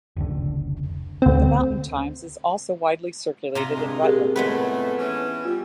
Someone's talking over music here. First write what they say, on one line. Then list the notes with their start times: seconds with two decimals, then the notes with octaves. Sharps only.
"The Mountain Times" is also widely circulated in Rutland.
0.16 F1 C#2 D3
1.22 D2 C4
3.55 C3 F4 A#5
3.75 G2 A#2 G#3
4.03 G4 G#4 A#4
4.36 F2 A2 G#3 A3 B3 B4
4.98 E3 C#4
5.45 G3 F4